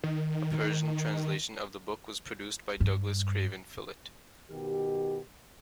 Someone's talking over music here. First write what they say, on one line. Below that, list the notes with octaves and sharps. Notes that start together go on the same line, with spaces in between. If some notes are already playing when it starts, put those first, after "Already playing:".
A Persian translation of the book was produced by Douglas Craven Phillott.
D#3
G2
B2 D#3 G4